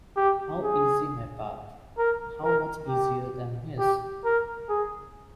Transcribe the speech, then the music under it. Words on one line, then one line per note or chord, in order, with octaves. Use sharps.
How easy my path, how much easier than his!
G4
G#4
A#4
A#4
G4
G4
A#4
G#4